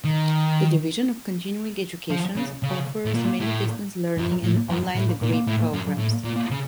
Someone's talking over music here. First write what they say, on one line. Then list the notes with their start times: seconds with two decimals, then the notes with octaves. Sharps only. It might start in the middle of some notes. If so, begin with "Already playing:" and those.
The Division of Continuing Education offers many distance learning and online degree programs.
0.05 D#3
2.10 F3
2.36 C#3
2.63 C#3
3.05 A2
3.14 A#2
3.41 A2
4.18 F#2
4.43 A2
4.70 F#2
4.96 A2
5.22 A#2
5.47 A2
5.73 F#2
5.99 A2
6.25 A#2
6.51 C#3